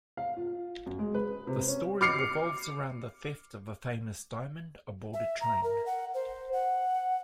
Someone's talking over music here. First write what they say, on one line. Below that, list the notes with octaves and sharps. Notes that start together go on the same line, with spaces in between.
The story revolves around the theft of a famous diamond aboard a train.
F5
F4
F#2
G#3
B4
C3
C#4
D6 F6 C7 C#7
E5
A#5
A#4
F#5
C5
F#5